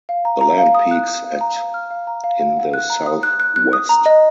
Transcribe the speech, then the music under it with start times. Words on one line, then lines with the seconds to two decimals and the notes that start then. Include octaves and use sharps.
The land peaks at in the south west.
0.09 F5
0.25 A#5
0.41 A#5
0.58 F5
0.75 D#6
0.91 F#6
1.08 D#6
1.24 F5
1.41 A#5
1.57 F5
1.74 F6
1.91 F5
2.07 A#5
2.24 F5
2.40 F5
2.57 F#5
2.74 F#6
2.90 A#5
3.06 D#6
3.23 F#6
3.40 F#6
3.56 F#6
3.73 D#6
3.89 A#5
4.06 D#5